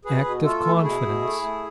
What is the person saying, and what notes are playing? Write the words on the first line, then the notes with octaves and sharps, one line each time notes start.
Act of Confidence.
B2 G#4 B4
B2
A3 F4 A4
A3
B2 E4 G#4
B2
A3
A3